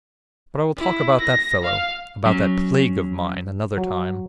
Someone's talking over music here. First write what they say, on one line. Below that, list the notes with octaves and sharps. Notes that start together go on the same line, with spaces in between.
But I will talk about that fellow, about that plague of mine, another time.
E4
A#6
F5
F#3 C#4
F#3